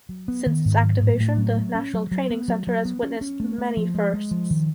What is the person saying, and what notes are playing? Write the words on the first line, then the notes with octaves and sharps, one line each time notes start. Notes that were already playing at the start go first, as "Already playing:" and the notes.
Since its activation, the National Training Center has witnessed many firsts.
F#3
B3
D#3
G#2
F#3
A2
A2
F#3
A3
C#4
F#3
F#3
B3
F#3
F#3
B3
C#4
C#4
A3
A3
F3
G#3
G#3
F3
D#3